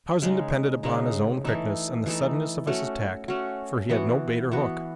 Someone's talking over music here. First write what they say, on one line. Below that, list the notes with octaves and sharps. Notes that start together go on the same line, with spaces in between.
Tarzan depended upon his own quickness and the suddenness of his attack, for he had no bait or hook.
C#3 G#3 D#4
C#3 G#3 D#4
E3 A3 D#4 A4
E3 A3 D#4 A4
A3 C#4 F#4
A3 C#4 F#4
E3 B3 F#4
E3 B3 F#4